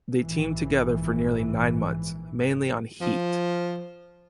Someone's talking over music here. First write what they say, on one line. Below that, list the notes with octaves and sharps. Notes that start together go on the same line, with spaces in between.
They teamed together for nearly nine months, mainly on "Heat".
A#1 G#2 E3
F3